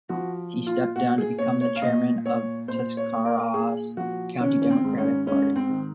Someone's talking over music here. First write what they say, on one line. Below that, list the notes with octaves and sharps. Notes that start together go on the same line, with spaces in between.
He stepped down to become the chairman of Tuscarawas County Democratic Party.
F3 F#4
A#2
F4
A#2 F#4
G#4
A#2 C#5
C#5
F5
A#2 D#5
A#2 C#5
A#2 C5
C#5
A#2
A#4
A#2 G#4
F3 F#4
D#3 C#4
C#4
C4
G#2
C#4
G#2 C#4
C4
D#3